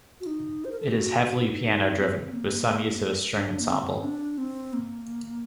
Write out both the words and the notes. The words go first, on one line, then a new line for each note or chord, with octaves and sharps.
It is heavily piano-driven with some use of a string ensemble.
F#4
D#4
C5
A#4
A4
G4
F#4
F#4
D#4
D#4
C4
A#3
D4
A#3
C4
D4
C4
A#3